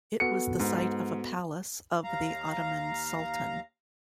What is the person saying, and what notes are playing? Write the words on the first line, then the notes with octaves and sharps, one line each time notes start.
It was the site of a palace of the Ottoman sultan.
B3 F#4 A4 C#7
G#2
D#2 F5 A#5